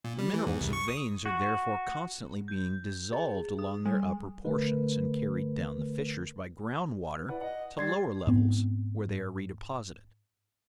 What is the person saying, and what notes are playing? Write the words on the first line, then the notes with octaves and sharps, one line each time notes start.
The minerals of veins are therefore constantly being dissolved along their upper portions and carried down the fissures by ground water to lower levels, where they are redeposited.
A#2
G3
E3
E2
C2
C#6
D#6
F#4
G6
G#4
D#6
G3
D3 A3 A#4 B4
E4 B4 D5 F#5
D#5 F#5
G3 D5 C6 G#6 A6 C7
G#2 B3 C4